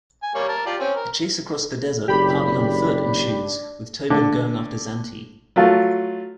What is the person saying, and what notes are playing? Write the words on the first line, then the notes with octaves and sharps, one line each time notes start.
A chase across the desert, partly on foot, ensues, with Tobin going after Zanti.
G#5
G3 A#3 C#5
A#4 A5
F4 G4 D5
C4 C#4
A#4
F#1 D4 G4 B5
D3
F#3 A3 F4